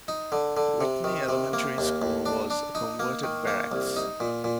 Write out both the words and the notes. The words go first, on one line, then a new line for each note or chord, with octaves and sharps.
Whitney Elementary School was a converted Barracks.
D#4
D3
D3
C3
D#3
C3
A#3
D#2
D#2
D4
D4
D#4
A#3
D#3
A#3
C2
D#4
A#2
A#2